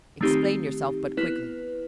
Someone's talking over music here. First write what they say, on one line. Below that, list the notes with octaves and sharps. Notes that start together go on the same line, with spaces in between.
"Explain yourself--but quickly."
D#3 A3 C4 D#4 G4
B3 E4 B4